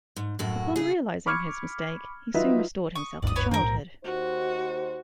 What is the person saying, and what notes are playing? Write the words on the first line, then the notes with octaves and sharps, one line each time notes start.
Upon realizing his mistake, he soon restored himself to childhood.
G#2
F#2 A2 F#4
C#3 G#4
B5 C#6 D6 F6 G#6 C#7
F3 F#3 D#4 F4 B4 E5
C#6 D#6
G1 D#2 G#2 D5 D#6
B3 B4 C#5
F#2 D#3 C4 D4 A#4
B1 A2
D#2 D#4 F#4 C5